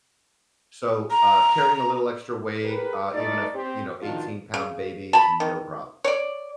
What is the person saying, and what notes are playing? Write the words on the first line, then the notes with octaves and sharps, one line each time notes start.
So, uh, carrying a little extra weight, uh, even if, you know, eighteen-pound baby is no problem.
A#5
G4 G#4 A#4 B4
G2 A3 D#4 D5
C4 G4 C5
B2 D#3 F3 D4 D#4 F4
C#3
A5 B5
D#3
C#5 D5